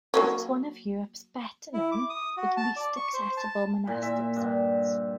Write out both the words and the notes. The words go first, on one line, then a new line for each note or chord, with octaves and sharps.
It is one of Europe's better known but least accessible monastic sites.
F#3 A#3 C#4
E4
D6
D#6
F#4
A5
D5
C#6
C5
A5
A#2
E5
G2